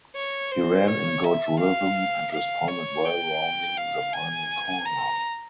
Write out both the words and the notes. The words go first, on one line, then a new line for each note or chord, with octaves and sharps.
He ran in good rhythm and responded well rounding the final corner.
C#5
C5
C#5
E5
F5
F5
C#5
G5
F5
G#5
A#5